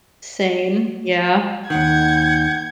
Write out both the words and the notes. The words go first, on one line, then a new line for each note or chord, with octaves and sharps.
Same, yeah.
D#2 D#3 F#5 G5 G#6